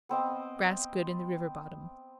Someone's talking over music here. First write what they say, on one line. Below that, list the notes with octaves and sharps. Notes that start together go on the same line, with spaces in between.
Grass good in the river bottom.
B3 C4 D#5